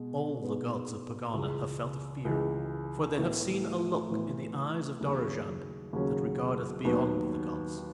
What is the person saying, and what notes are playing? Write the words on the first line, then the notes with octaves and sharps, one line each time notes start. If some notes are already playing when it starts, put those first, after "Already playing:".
All the gods of Pegana have felt a fear, for they have seen a look in the eyes of Dorozhand that regardeth beyond the gods.
Already playing: B2 G#3
B2 G#3 B3 D#4
C#2 C#3 E3
C#2 C#3 E3
A1 A2 E3 B3
A1 A2 E3 B3
D#2 C#3 F#3 C#4
D#2 C#3 F#3 C#4
D#2 D#3 F#3 B3
D#3